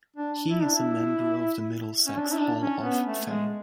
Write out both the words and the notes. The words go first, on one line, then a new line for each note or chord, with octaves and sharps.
He is a member of the Middlesex Hall of Fame.
D4
E4
D4
E4
C#4
D4
E4
D4
C#4
B3
A3
G#3